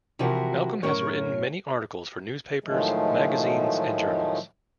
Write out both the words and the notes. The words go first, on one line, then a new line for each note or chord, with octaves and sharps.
Malcolm has written many articles for newspapers, magazines and journals.
C3 E3 F3 E4 F#4 A#4
F#2 A2 C#4 A#4 C#5
A2 D#3 F3 F#3 G#3 A3